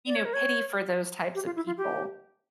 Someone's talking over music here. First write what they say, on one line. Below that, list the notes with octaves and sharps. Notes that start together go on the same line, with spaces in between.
you know, pity for those types of people
D5
C#5
A#4
C#5
G4
F4
E4
F4
G4